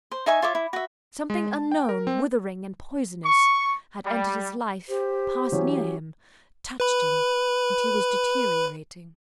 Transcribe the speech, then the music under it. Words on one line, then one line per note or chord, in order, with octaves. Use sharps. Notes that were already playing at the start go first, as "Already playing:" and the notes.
Something unknown, withering and poisonous, had entered his life, passed near him, touched him, and he was deteriorating.
C5
D#4 E5 G#5 C#6
F4 C#5 E5 D6
E4
F#4 E5
G#3
A5
G5
A#4
C4
C#6
G3
G4 C5
E3 F#3 C#4
B4 B5